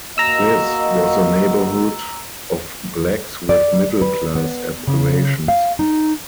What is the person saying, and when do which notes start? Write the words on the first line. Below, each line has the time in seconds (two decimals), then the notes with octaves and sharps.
This was a neighborhood of blacks with middle class aspirations.
0.18 A#3 F#4 D#5 A#5 E6
3.49 D5
4.02 B4
4.35 B3
4.87 C#3
5.48 F5
5.79 D#4